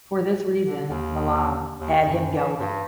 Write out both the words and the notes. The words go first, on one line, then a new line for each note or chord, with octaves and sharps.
For this reason, Milam had him gelded.
D3
D#2
D#2
F#2
E3
G2